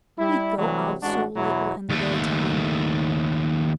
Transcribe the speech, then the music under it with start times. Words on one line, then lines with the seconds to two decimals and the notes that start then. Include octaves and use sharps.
"We go out so little in the daytime."
0.18 G3 E4
0.58 C3 E3 F#3 G3 A3
1.02 A1 G#3 D4 F#4
1.36 E2 B2 F#3 E4
1.90 D#2 A3